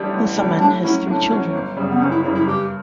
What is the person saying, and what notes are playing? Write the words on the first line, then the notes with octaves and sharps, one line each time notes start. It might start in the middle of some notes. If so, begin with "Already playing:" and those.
Uthaman has three children.
Already playing: A1 A2 G3 D4 G4
A1
A2 G3 D4 G4
A2 D4
F#3 C#4 E4
A2 D4
F#3 C#4
G1
F#2 C#3 G3
B3
G1 C#4
E4
F#2 C#3 G3 E4
E4
G2 G4